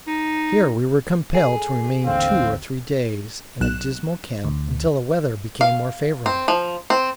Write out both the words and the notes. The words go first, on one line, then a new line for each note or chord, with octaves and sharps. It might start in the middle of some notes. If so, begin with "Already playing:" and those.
Here we were compelled to remain two or three days in a dismal camp, until the weather became more favorable.
D#4
G#4 A4
A1 D#2 D3 C4 F5
B1 F#6 E7
D2
F5
C4
F3
C4